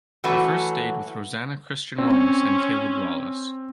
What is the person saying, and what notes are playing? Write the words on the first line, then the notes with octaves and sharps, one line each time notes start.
She first stayed with Rosanna Christian Wallace and Caleb Wallace.
E3 F#3 A3 F#4 B4 A5
C4 C#4